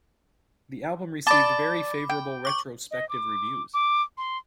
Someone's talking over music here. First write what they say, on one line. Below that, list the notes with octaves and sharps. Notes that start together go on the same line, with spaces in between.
The album received very favourable retrospective reviews.
D5 A5 B5 D6
G5
C#6 D6
D#5
D6
D6
C6